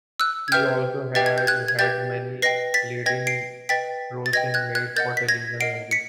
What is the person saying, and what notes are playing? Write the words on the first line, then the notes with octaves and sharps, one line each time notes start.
She also has had many leading roles in made-for-television movies.
E6 F#6
G#6
G4 B4 E5 G5 F6 G6
G4 B4 E5 G5 A6
G#6
G6
F#6 G#6
G#6
G4 B4 E5 G5 G6 A6
B4 D#5 G5 A#6 C7
A6 B6
B4 D#5 G5 G#6 A#6
C7 D7
B4 D#5 G5 A6 B6
A6
B4 D#5 G5 G#6 A#6
F#6 G#6
F#6 G#6
A#4 D#5 F#5 G6 A6
B6
G#6 A#6
A#4 D#5 F#5 C7 D7
B6 C#7